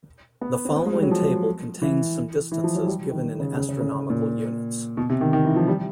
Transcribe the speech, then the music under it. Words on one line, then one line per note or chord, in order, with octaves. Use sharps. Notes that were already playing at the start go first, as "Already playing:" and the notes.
The following table contains some distances given in astronomical units.
B3
C4
B3
G#3
G3
F#3
F3
E3
E3
F3
F#3
G3
D#3
C#3
C#3
C#3
C#3
C#3
A#2
B2
C3
D#3
D#3
E3
F3
G3